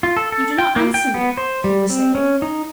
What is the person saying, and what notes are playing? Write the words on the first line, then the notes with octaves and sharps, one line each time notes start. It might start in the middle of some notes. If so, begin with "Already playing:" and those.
"You do not answer me," he was saying.
F4
A4
A4
G5
A#3
G5
B3
C5
G3
C4
C#4
D#4